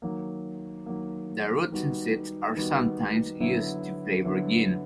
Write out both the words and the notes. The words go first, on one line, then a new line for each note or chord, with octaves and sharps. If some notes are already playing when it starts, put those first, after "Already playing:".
The roots and seeds are sometimes used to flavor gin.
D#3 F#3 A#3
D#3 F#3 A#3
D#3 G3 B3 D#4 F#4
D#3 G3 B3 D#4 F#4
D3 F#3 B3 E4
D3 F#3 B3 E4